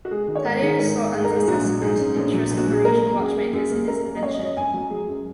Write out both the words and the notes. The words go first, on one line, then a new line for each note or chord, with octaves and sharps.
Fatio sought unsuccessfully to interest Parisian watchmakers in his invention.
F#4
G#3 G#4
D#3
C#5
G#2 A#4
D#3 G#4
G#2 A#4
G#2
G#2 G#4
A#4
G#2
G#4
A#1 F#4
F#3
G#2 G#4
C#4
A#1
F#3
A#1
F#4
F#3 G#4
A#3 A#4
A#3
F#2 G#4
A#3
F#2 G#4
A#3
F#2 A#4
A#3
D#5
F#2 C#5
D#5
F#2
D#5
F#2 G#5
F#3
F#3 G#4
F#2